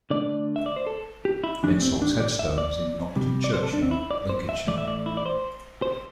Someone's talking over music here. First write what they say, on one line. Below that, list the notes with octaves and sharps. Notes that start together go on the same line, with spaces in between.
Insall's headstone is in Nocton Churchyard, Lincolnshire.
D3 A3 D5
E5
D5
C5
A4
G4
E4
A2 E3 G3 D4
C4
D4
D5
E5
D5
C3 G3
D5
C5
A4
D4
C4
E4
D5
C5
E5
A2 E3 A3 D5
E5
D5
E4
D5
C5
C5